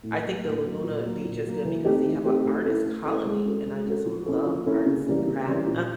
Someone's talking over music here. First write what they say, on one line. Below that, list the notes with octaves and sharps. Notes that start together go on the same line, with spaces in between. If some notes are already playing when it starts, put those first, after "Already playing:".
I think the Laguna Beach is good because they have a artist colony, and I just love arts and crafts.
A2
F#3 A#3
A2
F#3 A#3
A#2
F#3 A#3
A#2
F#3 A#3
E3
A3 C4 D#4 G4
E3
A3 C4 D#4 G4
A3
C#4 E4 A4
A3
C#4 E4 A4
G#3
C#4 F#4 A4
G#3
C#4 F#4 A4
F3
A#3 C#4 E4 A4
F3
A#3 C#4 E4 A4
C#3
E3 G3 A#3 C#4
C#3
E3 G3 A#3 C#4
A#2